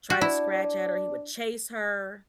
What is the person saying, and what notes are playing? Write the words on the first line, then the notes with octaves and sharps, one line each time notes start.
try to scratch at her, he would chase her
F#4
D4 E4